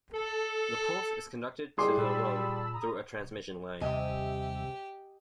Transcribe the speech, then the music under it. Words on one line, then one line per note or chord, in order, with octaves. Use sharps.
The pulse is conducted to the load through a transmission line.
A4
G3 E4 G#4 C6 D6
A#2 A5 B5 E6
A#5 D#6
D#2 C3 G3 G4 D#5 E5 G#5